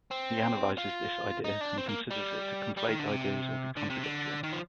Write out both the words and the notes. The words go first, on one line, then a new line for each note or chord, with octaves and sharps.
He analyzes this idea and considers it to conflate ideas or be contradictory.
C4
F4
D#4
D4
C4
A#3
G3
G3
D#3
D3
C3
D3
C3
D3
D#3
F3